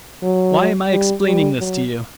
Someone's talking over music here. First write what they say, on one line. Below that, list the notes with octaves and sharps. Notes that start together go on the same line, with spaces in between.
Why am I explaining this to you?
F#3
G3
G3
F#3